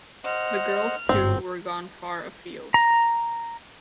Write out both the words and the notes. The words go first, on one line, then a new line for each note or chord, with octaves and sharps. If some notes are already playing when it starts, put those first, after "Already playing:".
The girls, too, were gone far afield.
C5 D#5 F#5 F6
G1 G#2 C4
A#5